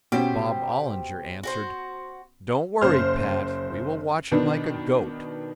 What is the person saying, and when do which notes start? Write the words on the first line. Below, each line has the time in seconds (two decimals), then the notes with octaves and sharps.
Bob Ollinger answered: "Don't worry, Pat, we will watch him like a goat."
0.12 B2 C#4 G4 C5
1.43 F#4 G4 C5
2.81 F#1 C5 F6
4.31 B2 D#3 B3 D4